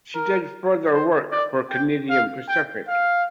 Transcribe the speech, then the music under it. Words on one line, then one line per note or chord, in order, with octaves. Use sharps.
She did further work for Canadian Pacific.
A#4
C5
D5
G5
F5
G5
F5